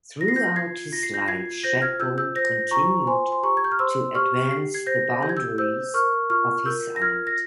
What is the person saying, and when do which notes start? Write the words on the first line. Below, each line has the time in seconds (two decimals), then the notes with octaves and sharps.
Throughout his life, Shadbolt continued to advance the boundaries of his art.
0.21 F4 A#6
0.28 C7
0.36 G6 A#6
0.56 F4 G#6 C7
0.92 F4 A#6
1.03 C7
1.14 G6 A#6
1.28 F4 G#6 C7
1.63 C5 G6 A#6
1.81 F6 G#6
2.00 F4 E6 G6
2.18 E6 G6
2.36 C5 G6 A#6
2.71 F4 A#5 C#6
3.07 C5 G#5 C6
3.32 C6
3.43 G4 A#5 C#6
3.57 G#6
3.64 G6
3.72 F6
3.79 C5 C6 E6
4.15 G4 C#6 F6
4.51 G4 C7
4.74 G#6 C7
4.87 C5 G6 A#6
5.23 G4 G6
5.29 G#6
5.37 E6 G6
5.58 C5 E6 G6
5.94 A#4 C#6 F6
6.30 F4 C#6 F6
6.66 A#4 E6 G6
6.96 A#6
7.01 F4 F6 G#6
7.27 A#6